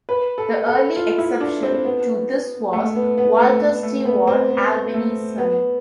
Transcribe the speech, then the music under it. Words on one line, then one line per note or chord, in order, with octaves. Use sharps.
The early exception to this was Walter Stewart, Albany's son.
B4
A4
A4
F4
E4
D4
C4
B3
A3
B3
B3
A3
B3
A3
B3
C4
B3
A3
B3